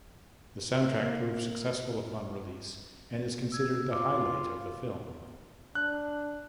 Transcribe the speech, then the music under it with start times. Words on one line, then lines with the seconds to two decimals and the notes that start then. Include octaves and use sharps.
The soundtrack proved successful upon release and is considered the highlight of the film.
1.01 A#3
3.52 E6 G#6
3.91 F4 D6
5.75 D4 F#6